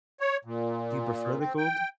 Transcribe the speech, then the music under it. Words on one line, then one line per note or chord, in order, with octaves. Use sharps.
Do you prefer the cold?
C#5
A#2
C4
G5